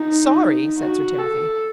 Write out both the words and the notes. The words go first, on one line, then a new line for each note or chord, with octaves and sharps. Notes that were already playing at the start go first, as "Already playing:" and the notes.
"Sorry!" said Sir Timothy.
Already playing: D#4
F#4
A4